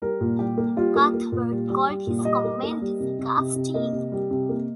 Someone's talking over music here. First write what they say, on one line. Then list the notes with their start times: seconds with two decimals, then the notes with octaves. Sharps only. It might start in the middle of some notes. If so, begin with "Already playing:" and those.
Cuthbert called his comment "disgusting".
0.02 G3 A#4
0.21 A#2
0.39 G3 G4
0.57 A#3
0.77 G3 F4
0.96 A#3
1.14 A#3
1.32 A#2
1.51 G3
1.69 G3
1.88 G3
2.07 A#2
2.25 G3 D#5
2.44 A#3
2.63 A#3
2.82 G3
3.00 C3
3.19 C3
3.37 C3
3.56 C3
3.74 A#3 D#5
3.93 C3
4.12 G3
4.31 C3
4.49 A#3